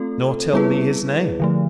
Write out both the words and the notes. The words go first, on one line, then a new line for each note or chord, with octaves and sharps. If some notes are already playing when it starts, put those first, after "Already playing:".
"Nor tell me his name."
Already playing: A3 C4 F4 A4
G3 B3 E4 G#4 B4
D3 F3 A3